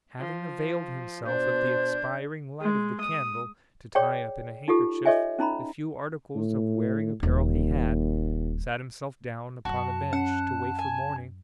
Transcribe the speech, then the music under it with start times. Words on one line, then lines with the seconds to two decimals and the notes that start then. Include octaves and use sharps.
Having availed himself of the expiring light of the candle to tie up in a handkerchief the few articles of wearing apparel he had, sat himself down upon a bench, to wait for morning.
0.20 F3
1.26 B2 D4 C5 G6
2.61 G#3
3.00 D#6
3.95 G#4 C#5 D5 G5
4.68 D#4 F4 G4 A4
5.05 A4 C#5 D#5 E5 G#5
5.39 C#4 D#4 A#5 B5
6.35 A2
7.23 D#1 D#2
9.65 F#2 F#4 A5
10.13 C#4 F#5
10.79 G#5